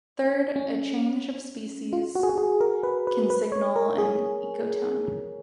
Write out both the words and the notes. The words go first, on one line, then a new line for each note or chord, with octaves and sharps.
Third, a change of species can signal an ecotone.
C#4
F4
F#4
G#4
F#4
G#4
A#4
B4
B4
B4
C#5
A#4
G#4